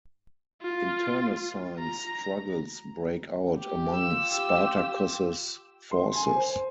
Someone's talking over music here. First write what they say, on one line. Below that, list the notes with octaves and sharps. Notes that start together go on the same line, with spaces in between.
Internecine struggles break out among Spartacus's forces.
F4
A#5
G4
F4 E6
G4
C6
G#5
C5